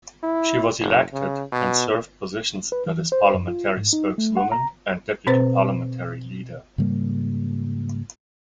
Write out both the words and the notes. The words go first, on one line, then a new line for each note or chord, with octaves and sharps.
She was elected and served positions that is parliamentary spokeswoman and deputy parliamentary leader.
E4
F#1
C#3
B2
B4
E3
C5
F#2
F4
G#2
D#4
A3
F#5
A#5
B2 C4 B4 C5 A6
G#2 C#3 G3 A#3